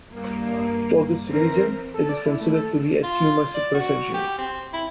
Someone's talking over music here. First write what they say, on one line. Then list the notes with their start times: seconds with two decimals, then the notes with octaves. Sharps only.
For this reason, it is considered to be a tumor suppressor gene.
0.10 G2 A#3
1.28 E3 C4 A#4
1.94 A4
2.09 D5
2.25 E4
2.41 A3
2.54 A4
3.03 F4
3.54 D5
3.75 F#4
4.14 G4
4.39 C4
4.73 E4